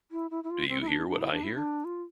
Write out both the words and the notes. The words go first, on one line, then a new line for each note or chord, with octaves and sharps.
Do You Hear What I Hear?
E4
E4
E4
F4
C4
E4
D4
D4
E4
D4
E4
D4
F4